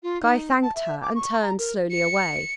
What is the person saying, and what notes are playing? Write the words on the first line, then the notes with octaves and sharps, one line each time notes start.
Guy thanked her, and turned slowly away.
F4
D#4
A5
E5
D6
C#6
A#5
A#4
C#7